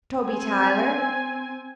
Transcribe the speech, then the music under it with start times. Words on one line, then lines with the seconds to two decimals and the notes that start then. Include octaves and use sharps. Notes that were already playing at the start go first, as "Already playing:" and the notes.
"Toby Tyler."
0.24 C4 G#5